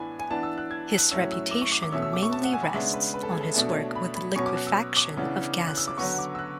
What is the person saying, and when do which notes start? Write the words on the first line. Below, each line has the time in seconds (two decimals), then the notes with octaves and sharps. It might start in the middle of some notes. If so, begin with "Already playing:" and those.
His reputation mainly rests on his work with liquefaction of gases.
Already playing: A2 E3 B3 D4 G#5 B5
0.19 G#5
0.30 E3 B3 D4 A5
0.43 E6
0.58 F#6
0.71 G#6
0.98 F#6
1.11 A2 F#3 A3 C#4 E6
1.32 E6
1.51 D6
1.62 C#6
1.72 D6
1.82 D6
1.92 B2 A3 C#4 E6
2.02 E6
2.13 D6
2.23 C#6
2.32 A5
2.44 F#5
2.53 G#5
2.63 B5
2.74 C#3 G#3 B3 D4 E5
2.94 B4
3.14 B4
3.23 A4
3.32 G#4
3.41 A4
3.54 B2 A3 D4 A4
3.69 C#5
3.95 B5
4.16 B5
4.36 B2 F#3 C#4 C#6
4.46 D6
4.56 F#6
4.67 E6
4.97 D6
5.17 C#3 E3 B3 D4
5.67 F#6
5.77 E6
5.88 D6
5.98 D3 F#3 B3 C#6
6.19 D6
6.35 E6
6.39 F#6